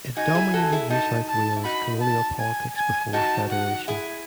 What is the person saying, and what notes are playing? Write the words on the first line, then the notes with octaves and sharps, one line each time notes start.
It dominated New South Wales colonial politics before federation.
D#4 F#4 G#5
E4 G#4
F#4 A4
E4 G#4
D#4 F#4 A5
A5
E4
D#4 F#4 B5
A5
G#5
G#5
D#4 F#4 A5
F#5
E4 G#4